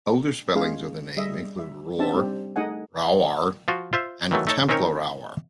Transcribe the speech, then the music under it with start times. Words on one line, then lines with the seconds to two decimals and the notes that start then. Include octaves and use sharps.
Older spellings of the name include "Roar", "Rowar" and "Tamplerowar".
0.55 G#3 C#4 F4 G#4 F5
1.17 G3 G#4 D#5 E5
1.59 E5
1.99 C4 D4 D#4 G4 E5 A5
2.15 G3 C4 G4
2.56 A3 D#4 G#4 D#5 F#5 G#5
3.68 F3 F4 F#4
3.93 F4 C5 E5
4.31 D#3 E3 F#3 A3
4.47 A3 D#4 A4 C#5
4.69 D#3 C4 C#4 D#4 A#4 C#5